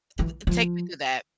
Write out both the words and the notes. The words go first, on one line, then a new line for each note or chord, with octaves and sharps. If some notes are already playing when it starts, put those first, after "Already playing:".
Th th take me through that.
E3
F3